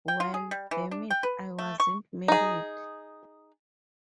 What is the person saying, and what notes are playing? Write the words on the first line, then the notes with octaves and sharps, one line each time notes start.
Well, damn it, I wasn't married.
G5
F4
G#4
G3
E3
D4
G5
B4
A3
C#6
D#4 G#4